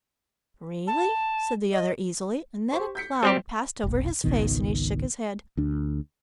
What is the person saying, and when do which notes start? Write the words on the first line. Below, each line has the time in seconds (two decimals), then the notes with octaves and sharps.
"Really?" said the other easily, and then a cloud passed over his face and he shook his head.
0.87 A5
1.72 D#5
2.72 G4 C5 C#6
2.95 G6 B6 C#7
3.23 G3 C4 G4 C5
3.84 F1 B1
4.24 G#1 C#2 B2 D#3
5.57 D2 D4